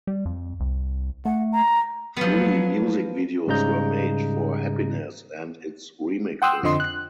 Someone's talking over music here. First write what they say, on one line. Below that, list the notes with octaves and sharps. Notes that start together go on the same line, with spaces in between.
Three music videos were made for "Happiness" and its remixes.
G3
F2
C2
A3 F#5
A#5
F3 F#3 B3
G#2 C#3 G3 D#5 A#5 G6
F#5 G5 C6 D#6 E6 F#6
F2 D3 F3 D#5 C6
F#6